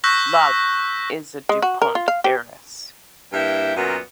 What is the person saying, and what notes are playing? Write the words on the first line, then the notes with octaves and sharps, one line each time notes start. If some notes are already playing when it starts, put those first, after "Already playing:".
Love is a DuPont heiress.
C#6 E6 F#6 G6 A#6 B6
G#3
F#4
A#4
F4
F5
G4
G2 A#3 E4 E5 G5
F#2 A#2 B3 F#4 A#4